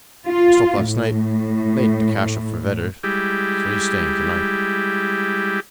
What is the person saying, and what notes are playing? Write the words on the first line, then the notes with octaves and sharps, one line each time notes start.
I stopped last night late to cash up for Vedder, so he's staying to-night.
F4
A2
G3 G#3 E4 G4